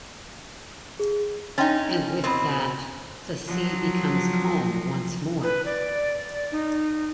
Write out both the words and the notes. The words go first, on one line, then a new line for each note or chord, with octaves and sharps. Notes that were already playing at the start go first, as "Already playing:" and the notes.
And with that, the sea becomes calm once more.
G#4
C#4 D#4 G5 C6 A6
B2 C4 B5 C6
F3 F#3
B4
D5
D#4